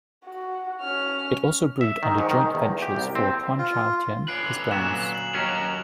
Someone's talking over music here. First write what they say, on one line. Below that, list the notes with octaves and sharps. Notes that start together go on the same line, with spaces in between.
It also brewed under joint ventures for Tuan Chau Tien, his brands.
F#4
C#4 F6
E5
D#3
G#2
D#3
E2
G4
C2
C4
F4
D3 C#4 B4 F#6 C7 D7
A#2 F#3 B3 F#6 E7
F#7
D#2 F#3 C#4 F#4 A#4